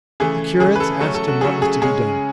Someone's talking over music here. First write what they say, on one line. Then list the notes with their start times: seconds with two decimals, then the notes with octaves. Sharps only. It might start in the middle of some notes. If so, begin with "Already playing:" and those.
The curates asked him what was to be done.
0.20 C#3 E3 A3 G#4
0.60 C#3 E3 A3 G#4
0.76 B4
0.80 A4
1.01 C#3 F#3 A3 C#4 A4
1.15 A4
1.28 F#4
1.41 C#3 F#3 A3 C#4 G#4
1.62 G#4
1.82 C#3 G#3 C#4 G#4